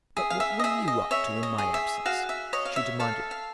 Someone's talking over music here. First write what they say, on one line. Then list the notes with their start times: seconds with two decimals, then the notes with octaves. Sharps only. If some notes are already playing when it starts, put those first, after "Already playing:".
"But what were you up to in my absence?" she demanded.
0.17 G#4 E5
0.30 F5
0.40 E5
0.59 D#5
0.64 G#4 E5
0.88 D#5
1.11 C#5 E5
1.43 D#5
1.58 G#4
1.74 E5
2.06 F#4 F5
2.29 E5
2.53 C#5 D#5
2.65 F5
2.76 E5
3.00 A4 F5
3.31 F5